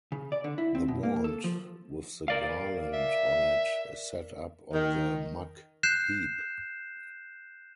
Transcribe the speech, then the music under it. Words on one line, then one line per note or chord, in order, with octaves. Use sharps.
The wand with the garland on it is set up on the muck-heap.
C#3
D5
D3
E4
C4
B2
A#3
A4
F3
A#4 D5 F5
E5
D#3
F#6 G6 C7 E7